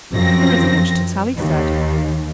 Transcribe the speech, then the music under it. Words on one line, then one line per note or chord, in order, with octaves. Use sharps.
"There isn't much to tell," he said.
F#2 F3 C4 A#6
D#2